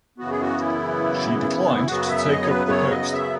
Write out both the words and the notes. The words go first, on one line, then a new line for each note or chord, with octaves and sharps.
She declined to take up the post.
F#2 C#3 E3 B3 F#4
G#4
F#4
E4
E4
F#2 C#3 F#3 B3 F#4
E5
D#5
C#5
B4
C#5
D#5
E5